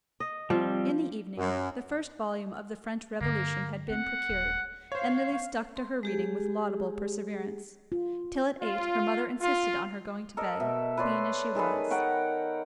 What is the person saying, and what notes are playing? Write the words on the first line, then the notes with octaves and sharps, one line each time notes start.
In the evening the first volume of the French Revolution had been procured, and Lily stuck to her reading with laudable perseverance; till at eight her mother insisted on her going to bed, queen as she was.
D#5
F3 G3 C4
F#2
G2 D3 A#3
C4 F#5
D#1
C5 C#5 F5
C6
G#3 G4 G#4
F4
F4
F4
A4 A#4 D#5
B2 E5
B4 C#5 D5 C6
D#3 G#4 A4 B4
A#4 F#5 G5 C#6